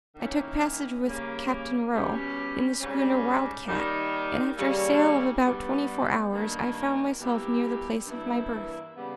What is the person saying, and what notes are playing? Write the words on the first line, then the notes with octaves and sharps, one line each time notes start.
I took passage with Captain Rowe, in the schooner Wild Cat, and, after a sail of about twenty-four hours, I found myself near the place of my birth.
D#3 A#3 C#4 E4
C#3 G3 A#3 C#4
B2 G3 C#4 G4
G#2 G3 C#4
D#3 G3 A#3 D#4
D#2 C#3 G3 A#3 C#4
G2 G3 B3
G2 D#3 A#3
B2 G3 A#3 E4 G4
G2 E3 A#3 E4
C#3 G3 B3